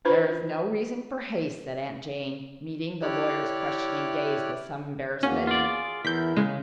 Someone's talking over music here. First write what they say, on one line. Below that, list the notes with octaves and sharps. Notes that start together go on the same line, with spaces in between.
"There is no reason for haste," said Aunt Jane, meeting; the lawyer's questioning gaze with some embarrassment.
D4 F4 B4 C5 B5
E4 G4 C#5 D5 F6 F#6
E2 A#3 C#4 F#4
F4 D5
G#4
E2 E4 A#4 E5 G6 B6
C#3 G#3